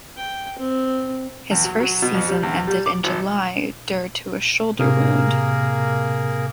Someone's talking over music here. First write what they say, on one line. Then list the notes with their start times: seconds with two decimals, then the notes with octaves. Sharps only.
His first season ended in July dur to a shoulder wound.
0.17 G5
0.59 C4
1.51 E2
1.64 F#3
1.80 F#3
2.02 B2
2.14 F2
2.28 G3
2.43 E2
2.67 G3
2.86 D6
3.04 G#1
4.79 A2 C3 A#3 G#4 A#4